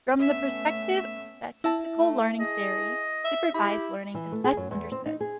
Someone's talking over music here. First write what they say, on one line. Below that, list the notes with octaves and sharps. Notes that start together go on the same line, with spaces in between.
From the perspective of statistical learning theory, supervised learning is best understood.
A3 B3 C#4 E5
E4 E5 A5
A3
G#4 D#5
E5
E4 G4 B5
E3
A3
G#4
F#2
E2
C4
D#4
G#4